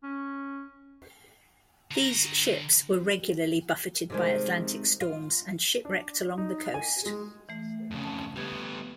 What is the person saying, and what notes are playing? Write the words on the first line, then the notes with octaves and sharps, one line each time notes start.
These ships were regularly buffeted by Atlantic storms and shipwrecked along the coast.
C#4
D3 A#5
C3 D#3 G#3
F4
D4
D#4
G#5
G#3
E3 A3
F2 C#3
A5
G3 B3 G4 G#6